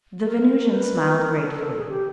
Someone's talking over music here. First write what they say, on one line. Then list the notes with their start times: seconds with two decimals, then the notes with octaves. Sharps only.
The Venusian smiled gratefully.
0.24 A#4
0.71 B4
1.16 A#4
1.40 A4
1.63 A4
1.77 G#4
1.90 G4